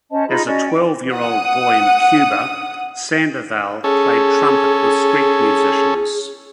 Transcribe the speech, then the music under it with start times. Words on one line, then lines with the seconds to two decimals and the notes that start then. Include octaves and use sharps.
As a twelve-year-old boy in Cuba, Sandoval played trumpet with street musicians.
0.10 C#4 C5 D#5 A5
0.27 D#4 F4 G#4 B5
0.46 C#4 F#4 D5 D#5
0.67 G5
1.13 F#5 D#6
3.84 C#4 G#4 A4